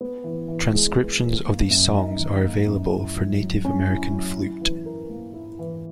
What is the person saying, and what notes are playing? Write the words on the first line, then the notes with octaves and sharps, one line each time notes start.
Transcriptions of these songs are available for Native American flute.
B3
E3
E3
G#3
B3
E3
A#3
F#2
D#4
D#3
A#3
F#2
E4
F#3
F#3
C#4
E4
F#3
E4
E3
A#4
A#3
E4
E3